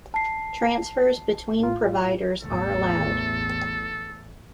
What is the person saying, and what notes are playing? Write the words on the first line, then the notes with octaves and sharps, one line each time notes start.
Transfers between providers are allowed.
A5 C7
A2 F4
A1 E2 A3 A4